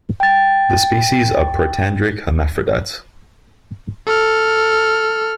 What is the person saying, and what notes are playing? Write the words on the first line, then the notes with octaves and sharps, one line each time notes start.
The species are protandric hermaphrodites.
G5 A6
A4 F6